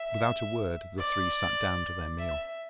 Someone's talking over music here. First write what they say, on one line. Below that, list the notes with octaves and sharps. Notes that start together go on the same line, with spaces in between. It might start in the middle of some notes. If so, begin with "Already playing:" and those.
Without a word the three sat down to their meal.
Already playing: E5
D5
E5